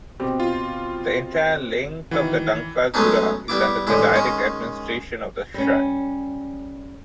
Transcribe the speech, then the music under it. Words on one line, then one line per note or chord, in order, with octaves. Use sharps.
The entire length of the dankazura is under the direct administration of the shrine.
B2 C4 G4
F4
D#3 E3 E4 F#4
F#3 G#3 A3 B3 C#4 D#4
G3 B3 E4 D6
A1 A2 D3 G#3 E4
D#3 G#3 C#4
G3 C#4